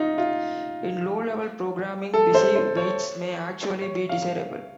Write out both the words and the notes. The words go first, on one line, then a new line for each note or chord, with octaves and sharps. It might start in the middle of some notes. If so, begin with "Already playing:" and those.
In low-level programming, busy-waits may actually be desirable.
Already playing: D#4 F4
F4
A4
C5
C5
C#5
C#5
F5